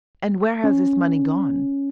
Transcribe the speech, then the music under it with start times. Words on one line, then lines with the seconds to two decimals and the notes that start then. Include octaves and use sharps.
"And where has this money gone?"
0.64 C#4